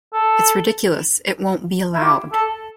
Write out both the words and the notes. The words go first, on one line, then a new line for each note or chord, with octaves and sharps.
It's ridiculous; it won't be allowed.
A4
E4
G4
A4